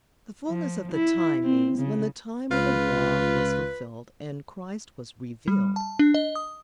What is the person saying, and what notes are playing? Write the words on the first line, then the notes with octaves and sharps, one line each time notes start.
"The fullness of the time" means when the time of the Law was fulfilled and Christ was revealed.
F3
E4
C4
C#3
C#2 F4 B4
G3
A5
D4
D#5
D#6